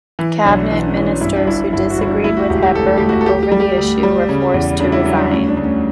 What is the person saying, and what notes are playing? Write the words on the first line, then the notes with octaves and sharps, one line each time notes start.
Cabinet ministers who disagreed with Hepburn over the issue were forced to resign.
E3
B1 D4
E3 D4
C#4
E3
D4
G2 E4
D4
G1 E4
G1 E4
F#4
G1 E4
D4
D2 E4
F#4
E1 G4
G4
D2 A4
D2 G4
F#4
A4
D2 G4
G4
G3
G4
D2
G3
C#3
E2
C#3 D4
E4
F#3 C#4
D4
D2 C#4
D4
D2
C#4